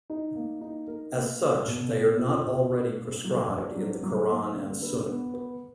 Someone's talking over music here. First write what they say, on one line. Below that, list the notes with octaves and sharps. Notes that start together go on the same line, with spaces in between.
As such, they are not already prescribed in the Koran and Sunna.
D#4
A#3
D#4
A#4
A#3
A#4
B2
F4
F4
B2
D4
A#3
F#3
D4
F#3
F#3
A#3
D3
B4
B3
B4